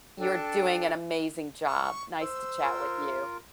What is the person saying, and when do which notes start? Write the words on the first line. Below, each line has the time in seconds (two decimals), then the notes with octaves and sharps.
You're doing an amazing job, nice to chat with you.
0.18 D4 A4 G5
1.67 C#6
2.21 C5 E6
2.63 F4 A#4